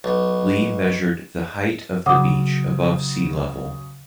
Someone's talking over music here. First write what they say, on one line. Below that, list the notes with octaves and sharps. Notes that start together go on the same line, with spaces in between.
Lee measured the height of the beach above sea level.
B1
C#3 F#3 F#5 D6 D#6